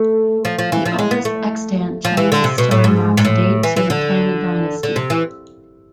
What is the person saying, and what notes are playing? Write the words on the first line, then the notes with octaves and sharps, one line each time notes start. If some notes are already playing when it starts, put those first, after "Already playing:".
The oldest extant Chinese star maps date to the Tang dynasty.
Already playing: A3
F3
F3
E3
F3
G#3
B3
A3
F3
E3
D3
C3
B2
A2
G#2
G#2
A2
E3
E3
D3
D3
C3
E3